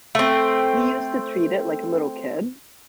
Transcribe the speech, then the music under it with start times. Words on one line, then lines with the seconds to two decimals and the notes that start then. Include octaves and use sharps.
He used to treat it like a little kid.
0.15 A3 C4